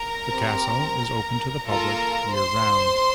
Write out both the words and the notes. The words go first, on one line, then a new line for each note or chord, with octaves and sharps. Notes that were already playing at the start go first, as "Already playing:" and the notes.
The castle is open to the public year-round.
Already playing: A#4 A#5
C4 G4
A#3 F4 A4 A#4 A#5
C5 C6